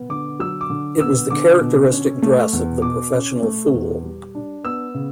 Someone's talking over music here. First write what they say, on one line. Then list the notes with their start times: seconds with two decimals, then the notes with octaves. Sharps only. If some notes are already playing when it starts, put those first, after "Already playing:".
It was the characteristic dress of the professional fool.
Already playing: B3
0.09 D3 D6
0.39 F#3 E6
0.61 D6
0.70 D3
1.00 B3 E6
1.30 D3 D6
1.61 B2
1.92 C#4
2.22 A3
2.53 E2
2.82 B2 D6
3.13 C#4
3.43 A3
3.74 E2
4.03 G3
4.35 D4
4.64 B3 E6
4.94 C#3